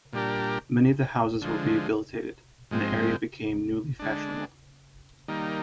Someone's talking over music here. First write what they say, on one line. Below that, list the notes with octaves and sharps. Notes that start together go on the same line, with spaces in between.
Many of the houses were rehabilitated, and the area became newly fashionable.
A#2 G3 D4 G4 A#4
D3 F3 G#3
G#2 F3 G#3 C4
D3 G#3 D4
D#3 G3 A#3 D#4